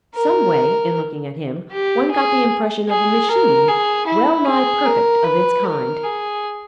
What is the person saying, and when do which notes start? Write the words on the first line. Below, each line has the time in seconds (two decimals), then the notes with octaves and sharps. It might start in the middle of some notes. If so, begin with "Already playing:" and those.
Someway, in looking at him, one got the impression of a machine, well-nigh perfect of its kind.
0.15 A#4
1.71 G4
2.11 G#4
2.89 G#4
3.29 A#4
3.68 G#4
4.06 E4
4.46 G#4
4.85 A#4
5.24 B4
5.64 A#4
6.03 G#4